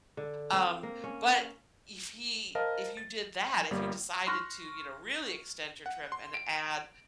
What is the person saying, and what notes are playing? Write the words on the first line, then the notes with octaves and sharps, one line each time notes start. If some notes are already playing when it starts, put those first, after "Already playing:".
Um, but if he if you did that, if you decided to, you know, really extend your trip and add
D3
C4
A#3
C#4
A#4 C5 D#5 F5 A5
A6
G1 G3 A#3
C6 C#6 F6 F#6 A#6
F#5
C6
D7